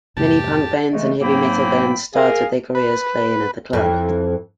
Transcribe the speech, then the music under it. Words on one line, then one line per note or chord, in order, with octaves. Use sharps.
Many punk bands and heavy metal bands started their careers playing at the club.
F2 G#2 C3 A#3 G4 A5
C#3 E3 G#3 A3
G#2 F#3 A#3 C4 G5 B5
G#4 A#4 F5
B4
F2 E3